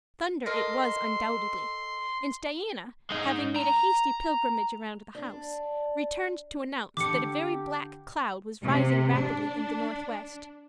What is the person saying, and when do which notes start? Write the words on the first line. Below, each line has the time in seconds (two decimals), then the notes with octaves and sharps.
Thunder it was undoubtedly, and Diana, having made a hasty pilgrimage around the house, returned to announce that a very black cloud was rising rapidly in the northwest.
0.46 A4 A#4 D#5 C6
3.10 G#3 D#4
3.56 A#5
5.15 D4
6.97 D3 G4 D6 C#7
8.63 C3
9.15 D4